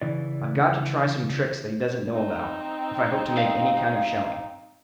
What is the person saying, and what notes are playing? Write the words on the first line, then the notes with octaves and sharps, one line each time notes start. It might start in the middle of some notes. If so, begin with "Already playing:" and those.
"I've got to try some tricks that he doesn't know about, if I hope to make any kind of showing."
C#3 E3 D5
C4 D#4
F5